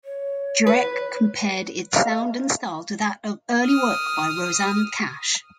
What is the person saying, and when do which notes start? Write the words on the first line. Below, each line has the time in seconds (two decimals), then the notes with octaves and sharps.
Jurek compared its sound and style to that of early work by Rosanne Cash.
0.05 C#5
0.67 B4
1.96 F5
3.65 D#6 F6